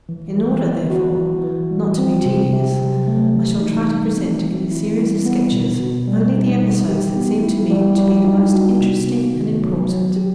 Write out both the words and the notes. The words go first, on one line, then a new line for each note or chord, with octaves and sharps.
In order, therefore, not to be tedious I shall try to present in a series of sketches only the episodes that seem to me to be the most interesting and important.
E3
E3
B3
F#4
E3
E3
G3
C4
C3
C3
F#3
A3
E3
D#4
G3
C4
E3
E4
G3
B3
B2
B2
G3
D#4
E3
G4
B3
E4
G3
G3
D#4
F#4
C3
B3
D#3
F#3
F#3
G4